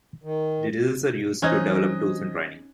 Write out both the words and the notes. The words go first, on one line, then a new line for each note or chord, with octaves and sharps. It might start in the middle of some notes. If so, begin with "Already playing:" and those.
The results are used to develop tools and training.
D#3
E3 C#4 D#4 C5 D#5 F#6 G#6